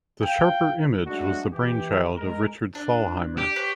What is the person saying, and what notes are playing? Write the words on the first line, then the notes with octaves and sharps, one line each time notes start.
The Sharper Image was the brainchild of Richard Thalheimer.
F5 G5
F#3 G#3 A3 D4 D#4 F#4
E3 G4
G#3 A#4
D4
G4
B4 C#5